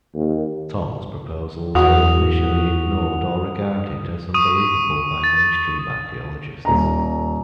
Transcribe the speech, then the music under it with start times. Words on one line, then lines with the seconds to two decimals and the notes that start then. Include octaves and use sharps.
Thom's proposals were initially ignored or regarded as unbelievable by mainstream archaeologists.
0.15 D#2
1.75 E2 F#4 D#6 F7
4.34 C#6 D#6 D#7
5.24 A6
6.65 D#1 A#5